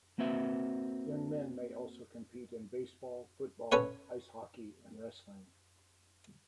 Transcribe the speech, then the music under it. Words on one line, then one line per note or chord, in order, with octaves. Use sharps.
Young men may also compete in baseball, football, Ice Hockey, and wrestling.
A#3 C4 F#4 B4 E5
C#4 A4 B4 C#5 F#5